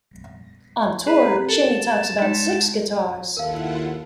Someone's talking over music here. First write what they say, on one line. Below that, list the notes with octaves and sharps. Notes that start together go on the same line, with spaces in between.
On tour, Cheney takes about six guitars.
G#4 B4
C4 G4 A#5
A4 A#4 A5
G#3 D#4
D#2 E4 F4 A4 A#4 F5 F#5